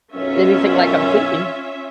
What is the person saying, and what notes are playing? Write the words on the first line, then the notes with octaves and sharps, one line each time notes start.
anything like I'm thinking
B1 F#2 C#4 F4 E5